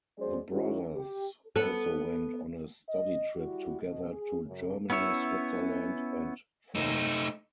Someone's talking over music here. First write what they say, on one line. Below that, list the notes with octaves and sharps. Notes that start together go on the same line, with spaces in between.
The brothers also went on a study trip together to Germany, Switzerland and France.
F#3 G#3 C#4 G#4 C5 D5
D#3 G#3 C#4 E4 F#4
G4
B3 A4
D#5
G3 E4 F#4
B2 D#5
G#4
F#2 C#3
B3 C#4 E4 C#5 E5
A3 D#4